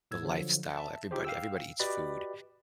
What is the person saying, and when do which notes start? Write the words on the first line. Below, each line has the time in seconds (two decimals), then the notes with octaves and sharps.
the lifestyle everybody everybody eats food,
0.11 A2 E6 G#6
0.23 D3 F3 F#3
0.77 E5 A5
1.11 D#4 F4 G4 G#4 C5
1.24 F5 G5 E6
1.80 F#4 G4 B4 D5 D#5 B5